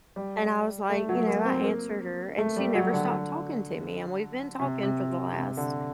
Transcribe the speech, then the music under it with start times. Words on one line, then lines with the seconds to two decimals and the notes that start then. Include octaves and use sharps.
And I was, like, you know, I answered her, and she never stopped talking to me. And we've been talking for the last
0.16 G3
0.90 A3
1.09 F#3
1.27 A#3
1.45 C4
1.64 A#3
2.38 A3
2.57 G3
2.75 F#3
2.93 D3
4.59 C3
4.83 C3
5.33 C3
5.57 D3